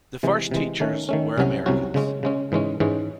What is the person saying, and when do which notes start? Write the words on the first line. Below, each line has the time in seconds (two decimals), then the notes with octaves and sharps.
The first teachers were Americans.
0.23 C3 E3 G#3
0.51 C3 E3 G#3
0.80 D#3 A3 C#4
1.09 D#3 A3 C#4
1.38 C2 C3 F#3 C#4 F#4
1.66 C2 C3 F#3 C#4 F#4
1.94 C#3 G#3 C#4
2.23 C#3 G#3 C#4
2.52 G#2 E3 G#3 C#4
2.80 G#2 E3 G#3 C#4